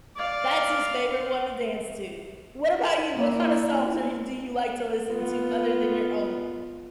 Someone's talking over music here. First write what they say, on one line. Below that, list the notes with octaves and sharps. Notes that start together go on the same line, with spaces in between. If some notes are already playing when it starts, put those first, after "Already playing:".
That's his favorite one to dance to. What about you? What kinda songs are y do you like to listen to, other than your own?
D5 F5
A#3 E4
B3 F4